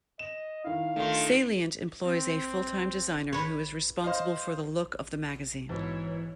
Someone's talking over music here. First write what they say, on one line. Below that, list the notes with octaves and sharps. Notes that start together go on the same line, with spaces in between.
"Salient" employs a full-time designer who is responsible for the look of the magazine.
D#5 E7
D#3 E4 F5
D#3 A3 D4 F4
C4
B4 C#5
C5 D#5 F5
G#2 B2 E3 E4 C#5